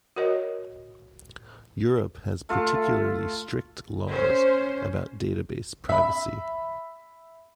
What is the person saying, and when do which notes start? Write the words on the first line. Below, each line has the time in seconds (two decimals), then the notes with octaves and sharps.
Europe has particularly strict laws about database privacy.
0.16 F#4 A#4 C#5 D#5
2.49 A3 F4
4.10 C#4 C5
5.89 E5 B5